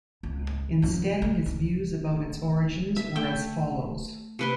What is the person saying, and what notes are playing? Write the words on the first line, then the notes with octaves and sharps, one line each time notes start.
Instead his views about its origins were as follows.
C#2
F#2 F3
A3
D2
E5
A3 E5 G5
C3 B4 C6